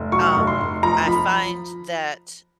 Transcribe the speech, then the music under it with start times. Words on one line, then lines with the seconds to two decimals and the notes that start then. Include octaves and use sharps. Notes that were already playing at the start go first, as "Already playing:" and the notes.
um, I find that
Already playing: F1
0.12 F#3 C#6
0.36 F1
0.47 C6
0.60 F1
0.83 F3 A#5
1.07 F3 B5